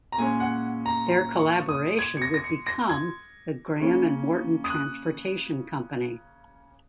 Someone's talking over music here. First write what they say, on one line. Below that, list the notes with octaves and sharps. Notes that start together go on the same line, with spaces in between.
Their collaboration would become the Graham and Morton Transportation Company.
A#5
A#2 G#3 C#4 G#5
F#5
A#5
A#5
C#6
D#6
G#6
C#7
A#6
A#6
C#7
A#6
G#6
C#3 A#3 C#4
D#6
F#6